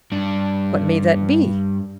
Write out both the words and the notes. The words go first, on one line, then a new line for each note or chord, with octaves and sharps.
What may that be?
G2 D4